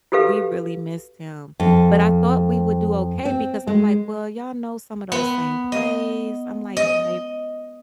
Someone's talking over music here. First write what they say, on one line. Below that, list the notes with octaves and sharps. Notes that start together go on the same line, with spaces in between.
we really missed him. But I thought we would do okay because I’m like, well, y’all know some of those same plays. I’m like, can they
F#4 G4 A4 B4 F5
F2
C4
G#3
B3
D#5
D#5